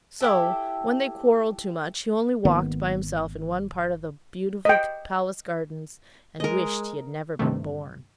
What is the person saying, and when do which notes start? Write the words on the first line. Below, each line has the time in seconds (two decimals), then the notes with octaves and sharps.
So, when they quarrelled too much, he only walked by himself in one part of the beautiful Palace gardens and wished he had never been born.
0.21 E4 G4 A4
2.45 G#1 D#3 A#3 B3
4.65 D#5 G5
6.40 G#3 A#4 D#5
7.39 G2 C3 D#3 A3